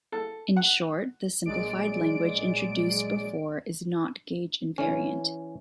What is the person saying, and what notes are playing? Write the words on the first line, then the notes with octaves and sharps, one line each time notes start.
In short, the simplified language introduced before is not gauge invariant.
A4
F#5
A#1 F#3 G#3 D5 D7
E3 C#4